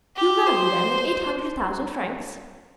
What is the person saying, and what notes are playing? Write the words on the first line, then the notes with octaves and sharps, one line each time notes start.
"You value them at eight hundred thousand francs?"
G4
C5